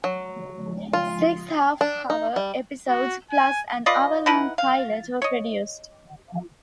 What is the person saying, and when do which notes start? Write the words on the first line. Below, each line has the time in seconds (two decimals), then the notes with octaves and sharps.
Six half-hour episodes plus an hour-long pilot were produced.
0.04 F#3
0.93 F4
1.81 D4
2.10 D#4
2.36 G3
2.88 F#4
3.31 G#5
3.86 F4 B4 D5 D#5
4.26 D#4 E4 B4 F#5
4.58 F5
5.22 C#5 D#5